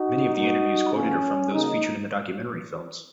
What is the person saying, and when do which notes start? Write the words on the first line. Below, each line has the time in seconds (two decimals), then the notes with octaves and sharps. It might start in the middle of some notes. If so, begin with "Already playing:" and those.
Many of the interviews quoted are from those featured in the documentary films.
Already playing: D#4 F#4
0.34 A#2 F#3 A#3 D#4 F#4
0.93 C#3 F3 B3 C#4
1.52 C#3 F#3 A#3 D#4